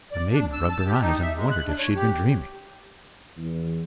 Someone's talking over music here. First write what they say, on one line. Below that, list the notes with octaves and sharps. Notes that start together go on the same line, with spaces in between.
The maiden rubbed her eyes and wondered if she had been dreaming.
D5
D4
E6
A5
G4
D#4
E5
G#3
F#6
D4
C#5
G4
E2